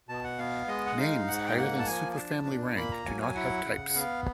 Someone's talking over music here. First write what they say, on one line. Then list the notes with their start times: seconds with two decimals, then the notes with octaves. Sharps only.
Names higher than superfamily rank do not have types.
0.09 B2 A5
0.24 F#5
0.38 B3 F5
0.68 G#3 D#5
0.86 F#5
0.98 D#4 F5
1.28 G#2 F#5
1.46 G5
1.57 A#3 F#5
1.79 A5
1.87 F3 G#5
2.13 G#5
2.16 D4 A5
2.47 A#2
2.76 A#3 B5
2.92 A#5
3.06 F#3 G#5
3.21 G#5
3.35 E4 F#5
3.65 C#3
3.95 B3 F5